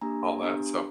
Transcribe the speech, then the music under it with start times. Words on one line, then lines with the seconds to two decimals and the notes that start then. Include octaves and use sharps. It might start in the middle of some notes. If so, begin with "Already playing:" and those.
all that, so
0.01 A#3 D4 G4 G#5 A#5
0.41 B3 D4 G4